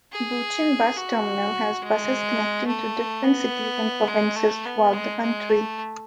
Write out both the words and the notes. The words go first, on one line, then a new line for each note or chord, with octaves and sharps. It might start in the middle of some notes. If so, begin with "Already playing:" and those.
Bucheon Bus Terminal has buses connecting to different cities and provinces throughout the country.
G#4
F#4
G#3
A3
B3
G#3
A3
B3
G#3
G#3
A3